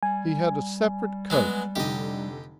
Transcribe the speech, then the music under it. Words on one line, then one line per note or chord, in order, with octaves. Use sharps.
He had a separate coach.
G3 G#5
F#3 G#3 B3
F1 D3 D#4 G4 D#5